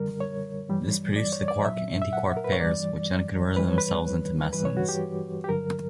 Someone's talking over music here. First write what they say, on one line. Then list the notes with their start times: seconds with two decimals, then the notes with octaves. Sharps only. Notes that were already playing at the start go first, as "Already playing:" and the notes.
This produced the quark-antiquark pairs, which then converted themselves into mesons.
Already playing: F#2 D3 G3 A#4
0.20 C#5
0.69 G2 E3 G3
1.16 D5
1.33 C#5
1.48 D5
1.65 A#2 F#3 E5
2.02 E5
2.13 F#5
2.37 A#4
2.44 B4
2.52 C#5
2.60 G2 E3 G3 D5
3.57 G2 E3 G3 B4
3.68 C#5
3.78 B4
4.53 G2 E3 G3 B4
4.65 C#5
4.77 F#4
4.89 G4
5.44 G4
5.49 G2 D3 F#3 A#4